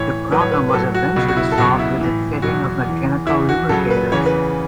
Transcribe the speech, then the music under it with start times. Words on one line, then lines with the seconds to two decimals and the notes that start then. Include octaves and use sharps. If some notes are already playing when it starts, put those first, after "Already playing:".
The problem was eventually solved with the fitting of mechanical lubricators.
Already playing: A2 E3 C#5
0.31 A2 F#3 B4
0.41 C#5
0.52 B4
0.69 B4
0.74 A2 F#3 A4
0.94 F#4
1.16 C#2 B2 F#3 F#4
1.28 F#4
1.37 E4
1.52 A4
1.58 C#2 B2 F#3 F#4
1.79 E4
2.01 A2 E3
2.42 E2 B2 F#3 F#4
2.85 E2 E3
3.27 E2 E3 E4
3.49 F#4
3.69 C#2 C#3 F#3 A4
3.91 B4
4.12 E2 C#3 E3 C#5
4.26 B4